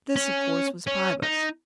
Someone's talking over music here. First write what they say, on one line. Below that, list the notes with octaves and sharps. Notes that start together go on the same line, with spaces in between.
This, of course, was Pybus.
C#4
C#4
D#4